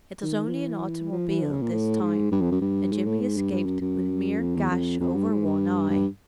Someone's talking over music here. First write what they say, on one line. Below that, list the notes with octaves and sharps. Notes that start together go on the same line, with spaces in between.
It was only an automobile this time and Jimmy escaped with a mere gash over one eye.
D#3
F3
E3
F3
E3
D3
C#3
A#2
A2
G#2
G2
F2
F#2
G2
G#2
A2
G#2
G2
G2
F#2
F#2
F2
E2
F2
F2
G2
G#2
G2
G2